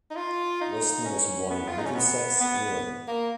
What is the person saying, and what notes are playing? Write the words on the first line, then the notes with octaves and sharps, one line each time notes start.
Weston was born in Middlesex, England.
D#4
F4
D#4
C#4
B3
F4
D#4
C#4
B3
B3
A#3